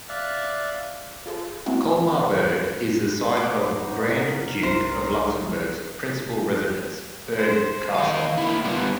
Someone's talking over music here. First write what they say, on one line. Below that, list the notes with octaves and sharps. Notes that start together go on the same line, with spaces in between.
Colmar-Berg is the site of the Grand Duke of Luxembourg's principal residence, Berg Castle.
D5 E5 F5 F#6
F4 G#4 A4 C5
G#3 A#3 C4 C#4 E4 F#4
A3 D6
D#4 B4 F#5 A#5
A#4
C2 E4 C5
C5
D#3 D#5 F5
A#3 E4
G3 B3 F4